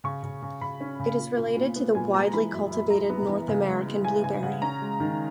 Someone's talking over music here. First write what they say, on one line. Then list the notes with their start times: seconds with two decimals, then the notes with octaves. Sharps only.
It is related to the widely cultivated North American blueberry.
0.04 C#3 C#6
0.23 C#3
0.42 C#3
0.61 C#3 B5
0.81 C#4
1.00 C#3
1.19 A#2
1.37 A#2
1.57 A#2
1.76 B3
1.95 A#2 G#5
2.14 G#3 A#5
2.33 E3 B5
2.53 F#2
2.71 F#2
2.90 F#2 A#5
3.09 B3
3.28 E3
3.48 C#3
3.67 G#3
3.86 G#3
4.05 G#3 G#5
4.24 C#3 G#5
4.43 C#3 F#5
4.62 C#4 A#5
4.81 G#3
5.00 D#3